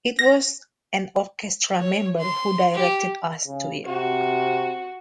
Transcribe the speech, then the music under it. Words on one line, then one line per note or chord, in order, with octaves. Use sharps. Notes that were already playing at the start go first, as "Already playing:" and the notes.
It was an orchestra member who directed us to it.
A#6
C#5
C6
G4
C#3
C3 F#4